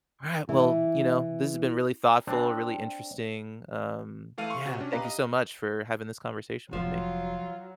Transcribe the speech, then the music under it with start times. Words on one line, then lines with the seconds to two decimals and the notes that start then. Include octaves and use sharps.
Alright. Well, you know, this has been really thoughtful, really interesting. Um, yeah, thank you so much for having this conversation with me.
0.49 E3
2.27 C4 D4
4.38 E3 A3 F5 F6 D#7
4.50 C6 C#6
4.65 C3 F#4
4.80 C#4 D4
4.93 G4 B4 D#5 F5 A#5
5.05 D#5
6.73 F1 F3 F#3 F4